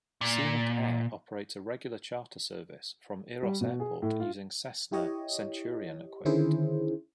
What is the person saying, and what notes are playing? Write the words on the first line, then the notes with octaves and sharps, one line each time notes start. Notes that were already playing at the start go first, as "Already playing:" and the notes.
Scenic-Air operates a regular charter service from Eros Airport, using Cessna Centurion equipment.
A#2
G3
B2
G#4
A2
F4
E4 G4 C#5 D#5
D3 D#3 C#4 E4 G#4 C5